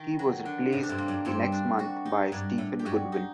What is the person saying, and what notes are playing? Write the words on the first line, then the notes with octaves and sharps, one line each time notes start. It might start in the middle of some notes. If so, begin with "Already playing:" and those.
He was replaced the next month by Stephen Goodwin.
Already playing: D#3
F#3
D3
A2 C3
D4
G2 C4
A#3
F#2
G2 C4
D4
F#4
D#4
G2 D4
A2
G4
G2 F#4
D#4